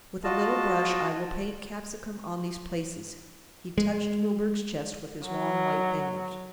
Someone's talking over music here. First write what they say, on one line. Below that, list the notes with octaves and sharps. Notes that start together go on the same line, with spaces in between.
"With a little brush I will paint capsicum on these places." He touched Milburgh's chest with his long white ringers.
F4 F#4 D#5 A5
G#3
F#3